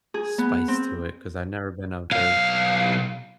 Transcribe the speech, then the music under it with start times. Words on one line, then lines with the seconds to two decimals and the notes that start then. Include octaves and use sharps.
spice to it 'cause I've never been a very
0.14 G#4
0.38 B3
0.68 C4
2.11 B1 F5